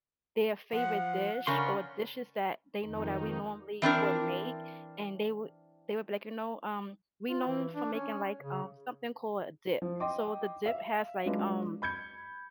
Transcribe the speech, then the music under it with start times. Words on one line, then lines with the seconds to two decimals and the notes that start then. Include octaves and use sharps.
their favorite dish or dishes that they know that we normally would make, and they would they would be like, you know, um we're known for making like, um, something called a dip. So the dip has, like, um
0.73 F3 F#5
1.47 C#3 C#4 A#4 D5 F#5 C6
2.81 F2 D#3 D#4
3.82 E3 C4 D4 A#4
7.28 F4
7.47 E3
7.74 D4
7.93 C#4
8.41 C#3
9.82 F3
10.00 D#5 G5 C6 D6
10.66 E5 F5
11.26 F#3 G#3 C#4 D4 F4 B4
11.82 B5 G6 G#6 C#7